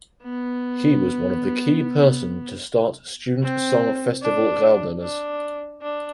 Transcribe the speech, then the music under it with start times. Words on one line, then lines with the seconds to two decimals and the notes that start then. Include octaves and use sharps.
He was one of the key person to start student song festival Gaudeamus.
0.23 B3
3.42 C4
4.22 D4
5.02 D4
5.82 D4